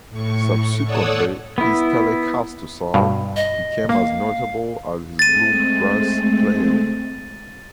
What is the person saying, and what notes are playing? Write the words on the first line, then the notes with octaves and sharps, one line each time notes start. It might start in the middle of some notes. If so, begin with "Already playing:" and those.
Subsequently, his Telecaster sound became as notable as his bluegrass playing.
A2 C#6
A4 C#5 D5 F#5 D#6 E6
B3 E4
G2 B2 F5
D#5
A#3 F5
G#3 A3 C4 A6 D#7